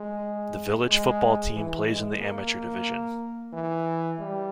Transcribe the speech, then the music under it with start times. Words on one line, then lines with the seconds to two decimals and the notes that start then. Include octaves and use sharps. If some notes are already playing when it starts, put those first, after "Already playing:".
The village football team plays in the amateur division.
Already playing: G#3
0.88 G#3
1.54 E3
1.87 G#3
2.20 A#3
3.53 E3
4.19 G3